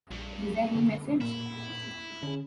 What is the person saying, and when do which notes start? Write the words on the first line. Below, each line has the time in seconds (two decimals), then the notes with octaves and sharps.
Is there any message?
0.11 A#1 G2
0.75 D3
1.21 A#2 A#3 E4
2.23 D3 C#4 G#4